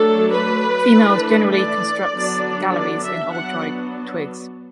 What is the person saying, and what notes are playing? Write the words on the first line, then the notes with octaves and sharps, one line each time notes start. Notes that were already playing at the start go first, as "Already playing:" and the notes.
Females generally constructs galleries in old dry twigs.
Already playing: F#3 A3 D4 A4
B4
E3 A3 D4
D5
D3 F#3 B3 D4
D5
E5
F#3 B3 D4 F#5